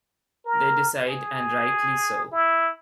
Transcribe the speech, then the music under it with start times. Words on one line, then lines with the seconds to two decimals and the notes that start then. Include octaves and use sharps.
They decide-and rightly so.
0.45 A#4
1.07 G#4
2.31 E4